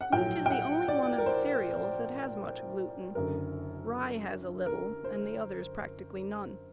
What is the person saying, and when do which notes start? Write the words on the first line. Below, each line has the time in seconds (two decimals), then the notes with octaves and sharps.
Wheat is the only one of the cereals that has much gluten; rye has a little and the others practically none.
0.01 F#5
0.12 A#1 A2 F#3 G5
0.46 G5
0.50 F#5
0.88 D5
1.18 A#4
1.26 C5
3.15 F#1 F#2 D3 A#4
4.66 A#4
5.04 C5